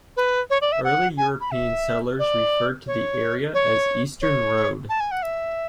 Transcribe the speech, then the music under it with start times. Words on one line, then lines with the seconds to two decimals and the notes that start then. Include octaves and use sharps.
Early European settlers referred to the area as Eastern Road.
0.17 B4
0.50 C#5
0.61 D5
0.72 E5
0.84 F#5
1.17 G#5
1.40 B5
1.51 E5
2.19 D5
2.87 C#5
3.54 C#5
4.22 C#5
4.89 A5
5.00 G#5
5.11 F#5
5.22 E5